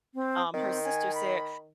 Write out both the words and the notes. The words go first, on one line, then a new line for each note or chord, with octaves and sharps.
um, her sister said,
C4
D#3 C4
G#5
B5